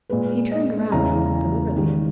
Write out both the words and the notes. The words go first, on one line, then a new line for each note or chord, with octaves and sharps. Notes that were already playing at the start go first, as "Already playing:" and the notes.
He turned round deliberately.
A#2 G#3 B4
D#5
E2 C#3 E3 G#3 A#5
G#2 D#3 G3